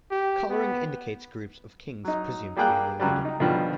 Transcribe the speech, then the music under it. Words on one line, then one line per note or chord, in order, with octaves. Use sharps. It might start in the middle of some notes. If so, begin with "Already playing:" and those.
Colouring indicates groups of kings presumed to be related.
G4
B3
F#3 D#4
G3 A#3 G#4 G5 F#6
C#2 F#3 G3
D#4
B2 D3 D#3 F3 G3